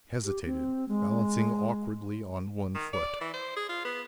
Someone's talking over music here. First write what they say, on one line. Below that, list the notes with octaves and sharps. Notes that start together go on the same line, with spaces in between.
He hesitated, balancing awkwardly on one foot.
G4
C4
G#3
D#3
D5
E3
C5
G#4
F4
B3